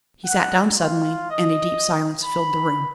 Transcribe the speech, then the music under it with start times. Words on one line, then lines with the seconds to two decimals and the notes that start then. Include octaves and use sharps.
He sat down suddenly, and a deep silence filled the room.
0.24 F#5
0.77 F4
1.31 D#5
2.22 B5